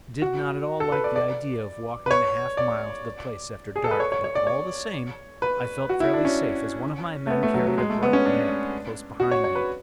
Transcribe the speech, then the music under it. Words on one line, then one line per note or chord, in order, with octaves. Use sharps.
I did not at all like the idea of walking the half-mile to the place after dark, but all the same I felt fairly safe, as one of my men carried a bright lamp close behind me.
F#4
A4
B4
D5
D5
B4
C#5
D5
G#4
A4
B4
C#5
C#5
C#5
D5
C#5
B4
F#4
E4
D4
C#4
A3
B3
A3
F#3
F#3
G#3
A3
B3
C#4
D4
F#4
C#5
C#5
B4